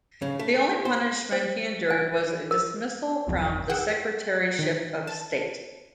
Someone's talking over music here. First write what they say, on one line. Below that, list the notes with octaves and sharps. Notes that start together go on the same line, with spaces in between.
The only punishment he endured was a dismissal from the Secretaryship of State.
C#3
A3
C5
C5
G#5
A#4
G1 C2 F2
G#4 F#5 G5 E6 F#6
D#3
A5